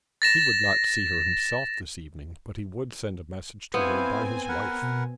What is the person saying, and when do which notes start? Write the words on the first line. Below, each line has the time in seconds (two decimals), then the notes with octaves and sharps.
He would not see her himself this evening, but he would send a message to her by his wife.
0.22 A6 A#6 E7
3.74 B3 C4 E4 C5 F5 G#5
4.49 A#4 B4 F#5
4.82 B2